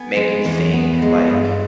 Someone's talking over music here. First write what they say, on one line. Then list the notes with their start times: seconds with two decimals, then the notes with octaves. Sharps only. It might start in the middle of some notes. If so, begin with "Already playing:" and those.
make you think, like,
Already playing: B3 G#5
0.17 G#3
0.45 E2
0.73 B3
1.02 G#3
1.30 G2